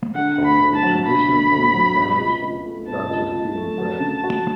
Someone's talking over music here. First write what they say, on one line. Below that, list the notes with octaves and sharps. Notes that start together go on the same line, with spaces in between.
The traditional Cuban sandwich starts with Cuban bread.
D3 F#5
D2
B5
D2
A5
F#3
D3 B5
D2
D2
F#3
B2
C#2
C#2
A3
B2 A5
C#2
C#2 A5
A3
F#3
C#3
F#4